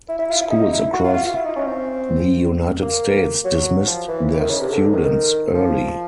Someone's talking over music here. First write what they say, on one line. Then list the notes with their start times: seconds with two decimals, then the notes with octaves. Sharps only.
Schools across the United States dismissed their students early.
0.09 E4
0.19 E4
0.30 F4
0.41 E4
0.51 D#4
0.72 E4
0.93 F#4
1.04 F4
1.14 F4
1.25 F4
1.35 E4
1.45 D#4
1.56 C#4
1.66 C4
2.82 A#3
3.45 F#3
3.87 F3
4.08 E3
4.28 E3
4.39 D#3
4.49 C#3
4.60 C3
4.71 D3
4.92 D#3
5.54 F3